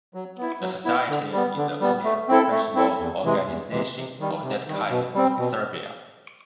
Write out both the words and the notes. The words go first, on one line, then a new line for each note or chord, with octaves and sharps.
The society is the only professional organisation of that kind in Serbia.
F#3
B3 E4
F#3
B3 E4
D3
G3 B3
D3
G3 B3
A3
C4 E4 A4
A3
C4 E4 A4
E2
C3 E3 G#3
E2
C3 E3 G#3
C3
D#3 G3
C3
D#3 G3
B2
G3 C4
B2